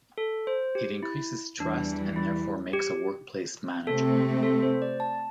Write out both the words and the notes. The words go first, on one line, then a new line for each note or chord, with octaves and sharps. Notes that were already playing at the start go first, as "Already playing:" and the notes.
It increases trust and therefore makes a workplace manageable.
A4
C5
G4
E4
E2 E3 G3 D4
E4
G4
C3 A3 C4 A4
A4
C5
D5
A5